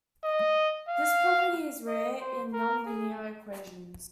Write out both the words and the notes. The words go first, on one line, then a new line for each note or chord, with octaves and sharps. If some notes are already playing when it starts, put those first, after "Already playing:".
This property is rare in nonlinear equations.
D#5
F5
D#5
C5
A#4
G#4